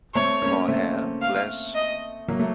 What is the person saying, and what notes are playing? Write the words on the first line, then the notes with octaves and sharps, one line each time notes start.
More hair, less...
A3 C4 C#5
A#3 C#4
A3 C4
F5
D#5
F#3 A#3
A3